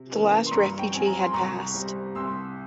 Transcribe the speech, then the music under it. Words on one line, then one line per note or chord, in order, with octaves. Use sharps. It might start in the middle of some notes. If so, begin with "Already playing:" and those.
The last refugee had passed.
Already playing: C3
E3 A#3 C#4
C6
G2 A#5 C#6
G5
F3 C4 G#5
A#5
C6
C2 A#5 C#6
C3 G3 C4
C2 C6 E6